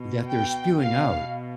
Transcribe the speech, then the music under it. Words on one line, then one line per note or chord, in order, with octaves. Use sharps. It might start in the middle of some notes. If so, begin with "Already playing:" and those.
that they're spewing out
Already playing: B2
G5
B2 F5